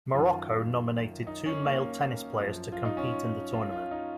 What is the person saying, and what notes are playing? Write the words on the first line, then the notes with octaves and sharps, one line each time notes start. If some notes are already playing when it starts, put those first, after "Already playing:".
Morocco nominated two male tennis players to compete in the tournament.
F#2 D#3 F4
D#4
C#4
A#3
F#2 F3
F4
D#4
C#4
F4
F4
D#4